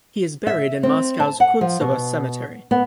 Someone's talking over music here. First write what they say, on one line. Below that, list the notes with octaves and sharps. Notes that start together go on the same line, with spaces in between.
He is buried in Moscow's Kuntsevo Cemetery.
E5
C4
A5
F#5
F3
B2
B3